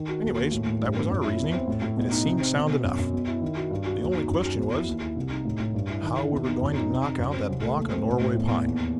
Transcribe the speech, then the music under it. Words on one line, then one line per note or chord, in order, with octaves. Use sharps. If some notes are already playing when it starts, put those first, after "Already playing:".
Anyway, that was our reasoning, and it seemed sound enough; the only question was how we were going to knock out that block of Norway pine.
Already playing: D#3
F#4
D#2
D#2
A2
A2
G2
B3
F#2
E4
E2
C4
A2
A2
B2
D#4
C3
C4
B2
B2
F#2
F#2
B2
E4
D#3
F#4
G2
F#4
D#2
D#4
F#2
F#4
E2
E4
D#2
E4
C2
D#4
A2
A2
G2
E4
D#3
E4
E2
D#4
F#2
D#4
C3
D#4
F#2
C4
C2
A3
D#2
C4
A2
A2
E2
E2
D#2